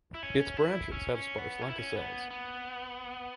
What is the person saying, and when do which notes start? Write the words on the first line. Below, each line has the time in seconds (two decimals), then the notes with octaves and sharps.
Its branches have sparse lenticels.
0.14 E4
0.23 C#4
0.57 E4
0.92 C#4
1.15 C#4
1.38 B3
1.62 C#4
1.69 E4
1.78 C#4
1.95 B3
2.31 B3